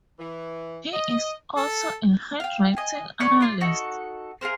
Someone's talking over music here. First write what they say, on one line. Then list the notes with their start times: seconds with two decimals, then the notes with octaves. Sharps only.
He is also a handwriting analyst.
0.19 E3
0.93 D#5
1.56 A4
2.40 F5 G5
2.77 D#5 G#5
3.20 C#4 C#5 D5 B5
3.40 F4 D5
3.61 D#4 F#4 A4
4.41 F4 G#4 A#4 C5